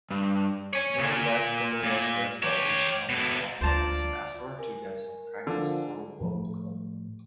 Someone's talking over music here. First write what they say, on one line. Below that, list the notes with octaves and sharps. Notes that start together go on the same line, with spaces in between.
Norwescon was therefore originally formed as an effort to get some practice for Worldcon.
G2
C#5 G#5
A#2
A#2
G4 C#5
B2 A3
D2 F4 C5 D5 A5 A#5
A#4 G#5
D3 F3
A2 F3 A3